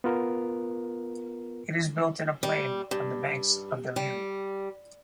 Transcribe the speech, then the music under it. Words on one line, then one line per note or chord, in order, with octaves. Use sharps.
It is built in a plain on the banks of the Liri.
B3 F4 A#4
G3
G2
G3